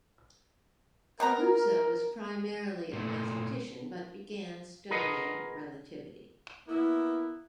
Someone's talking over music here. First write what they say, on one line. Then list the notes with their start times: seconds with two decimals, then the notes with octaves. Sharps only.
Kaluza was primarily a mathematician but began studying relativity.
1.20 B2 F#4 A#4 A#5
2.93 A#2 A3
4.90 F4 G#4 A#4 B4 D#5 F#5
6.67 A#3 B3 E4